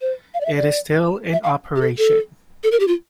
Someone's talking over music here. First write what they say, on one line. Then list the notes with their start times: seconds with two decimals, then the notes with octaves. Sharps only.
It is still in operation.
0.01 C5
0.34 F5
0.41 D5
0.45 E5
0.56 D5
1.33 E5
1.44 F5
1.76 G4
1.81 A4
1.98 A4
2.63 A4
2.72 A#4
2.80 G4
2.88 F4